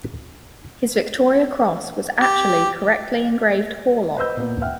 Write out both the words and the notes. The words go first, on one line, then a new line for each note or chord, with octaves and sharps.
His Victoria Cross was actually correctly engraved Horlock.
G4
B4 C5 D#5 B5 E6 G6
A#2 B3
E5 F#5 G5 F6